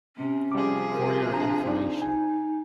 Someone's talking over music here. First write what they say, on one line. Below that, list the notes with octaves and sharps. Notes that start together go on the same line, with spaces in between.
For your information.
C3 C#4
C3 F3 G3 G#4 D6
A#4
D4 A#5
C4 D4 D#4
G#5